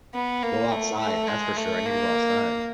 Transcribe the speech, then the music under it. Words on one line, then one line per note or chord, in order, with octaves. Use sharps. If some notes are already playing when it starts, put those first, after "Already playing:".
Go outside, that's for sure, I need to go outside.
B3
A#3
A3
A3
G#3
A3
A#3